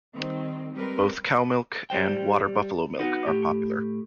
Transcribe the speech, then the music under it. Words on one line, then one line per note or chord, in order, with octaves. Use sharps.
Both cow milk and water buffalo milk are popular.
D#3 G3 C4
G3 G#3 C4 A#4 B4
G3 C5 G5
B3 D#4 F#4
A2 G4